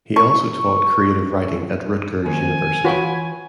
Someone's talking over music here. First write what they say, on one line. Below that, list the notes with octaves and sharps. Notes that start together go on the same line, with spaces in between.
He also taught creative writing at Rutgers University.
C#6
D#3 F3 A#3 G#5
E3 F4 F#4 B4 C#5 G5